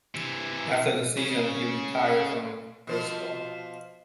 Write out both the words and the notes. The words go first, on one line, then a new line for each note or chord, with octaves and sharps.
After the season, he retired from baseball.
C3 E3
C#3
B2 F3 F4